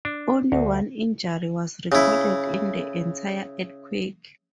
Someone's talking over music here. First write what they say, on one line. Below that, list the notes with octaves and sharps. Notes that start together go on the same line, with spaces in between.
Only one injury was recorded in the entire earthquake.
D4
D2
C#3 E4